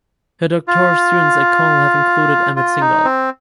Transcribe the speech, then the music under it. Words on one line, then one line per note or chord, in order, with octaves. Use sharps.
Her doctoral students at Cornell have included Amit Singhal.
F4
F4
D#4
C4